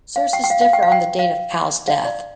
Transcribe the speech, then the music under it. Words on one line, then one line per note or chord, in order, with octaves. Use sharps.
Sources differ on the date of Powell's death.
F5
G5
G5
F5
F5
G5
F5
G5
F5
F5
D5